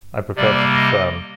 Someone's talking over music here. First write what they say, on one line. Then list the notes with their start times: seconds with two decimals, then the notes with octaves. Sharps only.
I prepared to be firm.
0.36 C3 G3 A#3 D5
0.75 D#5